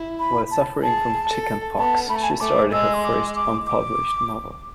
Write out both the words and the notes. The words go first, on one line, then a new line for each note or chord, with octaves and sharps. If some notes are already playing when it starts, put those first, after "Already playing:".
While suffering from chickenpox, she started her first, unpublished, novel.
Already playing: E4
B5
A5
G#4 A5
A4
B3 A5
A3 B5
A5
G#5
A5
A3 D6
G#3 E6
C6
D6
D6
D6